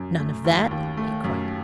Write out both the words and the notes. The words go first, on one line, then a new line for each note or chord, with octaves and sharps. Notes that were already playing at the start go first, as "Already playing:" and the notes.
"None of that," he cried.
Already playing: F#2
A3
D#2
D#2
A3
F#2